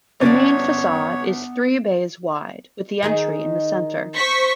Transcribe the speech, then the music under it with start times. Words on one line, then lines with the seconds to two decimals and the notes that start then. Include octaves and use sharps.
The main facade is three bays wide with the entry in the center.
0.21 G1 B3 C#4 C#5 D5 A6
3.03 D#3 D#4 G#4
4.15 C5 C#6 B6